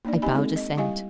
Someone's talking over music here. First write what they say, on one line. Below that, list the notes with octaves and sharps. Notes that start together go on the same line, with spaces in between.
I bowed assent.
A#3 D4 D#4 D5
C4 D#4 G4 D#5 G#5 B5
G#3 C4 D#4 A4
D#5
G3 E4 G4 D#5 F5 G#5